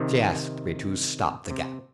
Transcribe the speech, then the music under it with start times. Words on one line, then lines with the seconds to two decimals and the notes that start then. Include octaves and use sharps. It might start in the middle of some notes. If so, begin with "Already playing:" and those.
She asked me to stop the gap.
Already playing: C3 D#3
1.50 C3